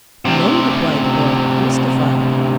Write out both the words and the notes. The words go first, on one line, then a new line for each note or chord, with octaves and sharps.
"No," replied the boy, mystified.
D2 C3